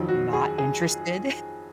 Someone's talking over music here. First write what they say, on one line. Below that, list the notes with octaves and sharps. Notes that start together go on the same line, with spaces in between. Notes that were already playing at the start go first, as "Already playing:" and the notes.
not interested.
Already playing: F2 D#3 F#3 F4
F#4
G#4
G#4